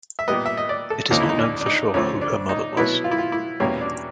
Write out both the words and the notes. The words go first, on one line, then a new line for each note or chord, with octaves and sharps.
It is not known for sure who her mother was.
E5
A#2 G3 B3 D#5
E5
D#5
D5
A4
D#2 D3 F3 A#3 C#4 D#4
E4
D#4
D4
D4
D#4
D2 D3 F3 A3 C4 C#4
D4
D#4
B2 F#3 B3 E4
F4
E4
F4
E4
E2 B2 G3 A#3 C#4
D4